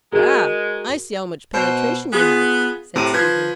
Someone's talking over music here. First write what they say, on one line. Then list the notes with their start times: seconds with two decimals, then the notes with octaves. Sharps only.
"Ah, I see how much penetration you have," said Stephen.
0.12 G#3 F#4 G#4 A#4
1.54 B2 C5
2.13 B3 F4 G#4
2.96 A2 C3 D#7
3.14 F3 B4 G#6